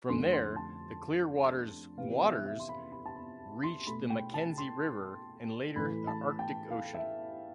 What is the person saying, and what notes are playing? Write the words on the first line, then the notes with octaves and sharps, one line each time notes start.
From there the Clearwater's waters reach the Mackenzie River and later the Arctic Ocean.
F2 D3 A3 C6
C6
A5
C3 E3 B3 F5
E5
E5
C6
B5
B5
A5
B5
C6
B2 A3 B5
G5
A5
C6
A2 E3 A3 B5
A5
G5
F5
E5